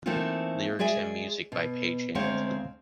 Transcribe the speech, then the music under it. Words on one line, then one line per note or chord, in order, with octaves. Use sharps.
Lyrics and music by Page Hamilton.
E3 A3 A#3 C4 D#4 F4
G#3 G#4 D5 E5 G#5
B2
D2 G#3 C4 C#5 F5